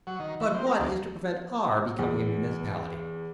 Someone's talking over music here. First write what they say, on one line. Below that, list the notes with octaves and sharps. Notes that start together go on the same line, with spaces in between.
"But what is to prevent our becoming a municipality?"
F#3
D#3
E3
C4
A#4
D2
E2